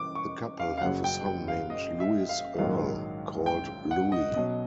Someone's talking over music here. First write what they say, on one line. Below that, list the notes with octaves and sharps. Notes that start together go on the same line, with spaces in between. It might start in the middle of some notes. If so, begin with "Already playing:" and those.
The couple have a son named Louis Earl, called Louie.
Already playing: E3 D6
C#6
F5
F5
F#1 F#2 C#3 F#3 F#5
G5
G5
F5
D#5
E5
F5
A#1 G#2 D#3 F#3 F5
G5
F#5
D#5
B1 B2 F#3 D#5